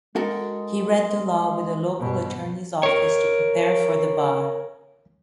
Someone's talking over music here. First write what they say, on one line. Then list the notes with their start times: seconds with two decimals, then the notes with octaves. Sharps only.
He "read the law" with a local attorneys' office to prepare for the bar.
0.16 G#3 F#4 A4 A#4
1.97 G2 B2
2.83 A#4 C#5